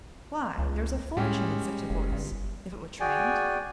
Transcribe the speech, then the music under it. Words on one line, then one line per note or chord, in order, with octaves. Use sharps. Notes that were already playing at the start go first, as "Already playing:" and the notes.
Why, there is a fortune in such a voice if it were, trained!
C#2
A2 G3 G#3 C#4
F#1
G1
F#4 G#4 D5 G5 G#5